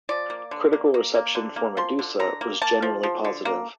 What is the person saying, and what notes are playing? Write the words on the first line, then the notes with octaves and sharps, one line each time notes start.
Critical reception for "Medusa" was generally positive.
F3 D5
A#3
D3
A#3
A#3
A#3
D3
A#3
F3 C6
D3
D3 A#5
A#3
A#3 A5
F3
F3
D3
A#3